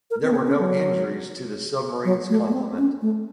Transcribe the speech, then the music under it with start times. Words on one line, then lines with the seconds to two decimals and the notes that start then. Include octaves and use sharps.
There were no injuries to the submarine's complement.
0.10 A#4
0.23 C4
0.31 A#3
0.35 C4
0.47 C#4
0.59 F#3
2.05 F#3
2.29 A3
2.48 A#3
2.53 C4
2.78 C#4
3.01 A3